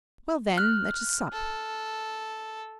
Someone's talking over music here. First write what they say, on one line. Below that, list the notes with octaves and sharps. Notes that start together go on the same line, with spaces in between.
"Well, then, let us sup."
F6 F#6
A4